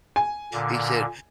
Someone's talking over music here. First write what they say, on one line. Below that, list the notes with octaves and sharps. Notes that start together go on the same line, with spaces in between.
He said,
G#5
A#2 D3